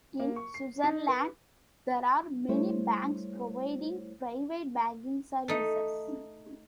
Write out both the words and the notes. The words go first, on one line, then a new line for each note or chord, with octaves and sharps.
In Switzerland, there are many banks providing private banking services.
A#3
C#6
C7
D#4
B4
G3 A3 E4 C5 C#5
A3 D#4